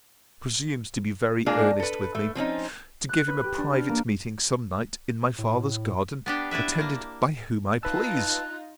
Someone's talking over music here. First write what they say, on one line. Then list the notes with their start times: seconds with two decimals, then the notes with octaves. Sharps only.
He presumes to be very earnest with me, 'to give him a private meeting some night, in my father's garden, attended by whom I please.'
1.46 G#3 A#3 D4 F4 G#4
1.80 A4 B4
2.15 A3
2.35 F3 C4 C#4 D#4
3.09 F#6
3.28 B4
3.44 G4
3.58 D4
3.74 F6
3.89 A#3
5.38 A2
6.26 B3 D4 G4
6.51 D4 E4 B4 E5
6.81 A#3
7.83 D#4 F4 B4 A5 E6 F#6